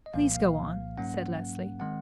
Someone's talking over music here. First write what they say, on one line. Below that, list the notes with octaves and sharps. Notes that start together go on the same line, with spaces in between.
"Please, go on," said Leslie.
D#5
C2 A#2 F3 A#3 F5
F5
G#2 F#3 A#3 C#4 F#5
D#3 G#3 C4 F#5